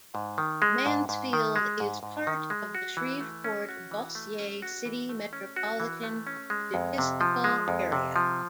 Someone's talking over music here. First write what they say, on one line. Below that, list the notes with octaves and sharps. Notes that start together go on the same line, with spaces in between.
Mansfield is part of the Shreveport-Bossier City Metropolitan Statistical Area.
G#2
D#3
G#3
G#2
G#2
D#3
G#3
G#2
G#2
D#3
G#3
F#4
E3
A3
C#4
F#4
E3
A3
C#4
F#4
E3
A3
C#4
F#4
E3
A3
C#4
G#3
F2
C3
F3
G#3
F2
C3
F3